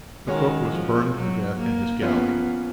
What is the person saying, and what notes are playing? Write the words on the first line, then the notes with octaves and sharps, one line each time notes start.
The cook was burned to death in his galley.
D#3 G#3 C#4 F#4 C#5
F3
F#3
A#3
F3 A#3 B3 C#4 F4 B4